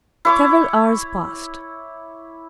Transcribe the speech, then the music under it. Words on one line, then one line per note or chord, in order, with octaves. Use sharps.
Several hours passed.
E4 C#5 D6